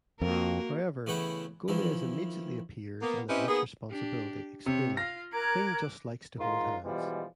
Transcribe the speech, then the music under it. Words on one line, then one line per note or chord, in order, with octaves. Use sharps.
However, Gomez immediately appears and admits responsibility, explaining: "Thing just likes to hold hands".
F2 A#3 F#4 A#4
A2 C#3 E3 B3 F#5 G5
F2 D#3 E3
A#3 B3
C4 C#4 E4 G4 B4 D#5
D#3 A#3 B3 G#4
D4 G4
C3 C#5
F4 F5 A#6
A#4 A#5 D6 F#6 G#6
G#2 D#3 F4 A#5 C6
B2 E3 F3 G3 G#3